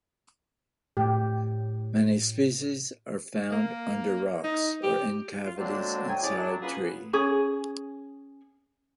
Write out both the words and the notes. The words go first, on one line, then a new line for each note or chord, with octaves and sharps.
Many species are found under rocks or in cavities inside tree.
A2 G4
A#3
D#4
G4
F4
D3 F#3 G#3 A#3 C4 D4
D2 F#3 G5 G#5
C#4 E4 G#4 C#5 D5
F#3 D4
A#3 B3 C#4 F4 G#4 B4
C#4 G#4